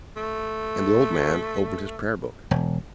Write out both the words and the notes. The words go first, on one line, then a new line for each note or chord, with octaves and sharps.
And the old man opened his Prayer-Book.
A3
E1